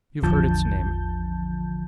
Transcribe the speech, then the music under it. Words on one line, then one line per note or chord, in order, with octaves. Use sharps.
You've heard its name.
A1 E2 D3 F3 A5 G6